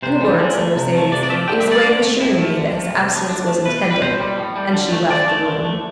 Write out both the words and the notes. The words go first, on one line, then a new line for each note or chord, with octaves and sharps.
"In a word," said Mercedes, "it was a way of assuring me that his abstinence was intended." And she left the room.
C3 C5
E3 G3
D3
A3
C3
F3 A3
C3 D5
D5
F3 A3 E5
D3 G5
E5
G3 D5
D3
A3
A2 E4
F3 A3
D3
F3 A3
C3
F3 A3
D3 D4
A3
B2 B4
G3
B4
B2 C5
G3
A2
G3
D3
A3
D3 D5
A3
D3
A3